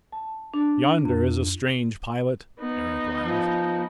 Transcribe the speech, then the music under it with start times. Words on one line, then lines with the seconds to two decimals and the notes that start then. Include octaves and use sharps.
"Yonder is a strange pilot," Eric laughed.
0.12 A5
0.54 D4
1.05 F2
2.60 B3 D#4
3.21 F3